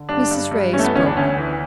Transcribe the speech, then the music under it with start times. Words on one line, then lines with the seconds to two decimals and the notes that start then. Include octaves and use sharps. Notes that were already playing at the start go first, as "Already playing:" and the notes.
Mrs. Ray spoke.
Already playing: D3
0.09 G2 D4
0.31 G2
0.51 G2
0.73 E3 C#4
0.79 A3
0.84 B3
0.95 D2 C#4
1.06 D4
1.17 D2 C#4
1.38 E3